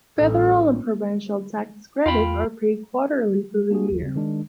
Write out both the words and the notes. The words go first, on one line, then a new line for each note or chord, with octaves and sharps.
Federal and provincial tax credits are paid quarterly through the year.
A1 G3 A4
E2 F4 F5 G5 B5
A#3 D4 F#4 G#4
G1 D#2
C#3 C4
D#3 G#3 D4